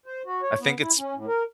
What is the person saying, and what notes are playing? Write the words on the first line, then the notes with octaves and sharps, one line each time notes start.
I think it's
C5
F#4
C#5
B3
E4
C#4
A2
A#4